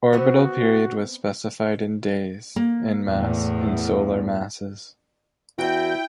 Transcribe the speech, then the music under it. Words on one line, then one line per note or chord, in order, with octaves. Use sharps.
Orbital period was specified in days, and mass in Solar masses.
B3 C4 F#4 E5
A#3
E2 A2
E2 E4 F#4 G5